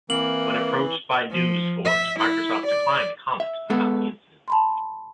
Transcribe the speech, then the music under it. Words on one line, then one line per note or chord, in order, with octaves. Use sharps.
When approached by NewsForge, Microsoft declined to comment about the incident.
E3 A#3 C4 F#7
F3
E5
E4
D5
E5
G#3 B3 A4
A5 B5 C6